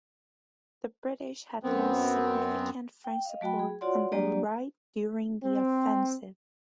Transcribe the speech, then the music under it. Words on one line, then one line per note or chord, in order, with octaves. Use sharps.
The British had lost significant French support on their right during the offensive.
F#2 B3 C4
G5
D#5 F5
F#3 A3 F#4 G5 B5
G#4
F4 F#4 C#5 D5 F#5 C6
F#3 G3 A#3 D4 G4 D5
C4